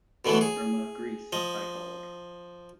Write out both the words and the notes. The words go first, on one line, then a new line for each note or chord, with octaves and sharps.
'Irma Grese', I called.
B2 D3 E3 F#3 A3
G#4
F3 D#5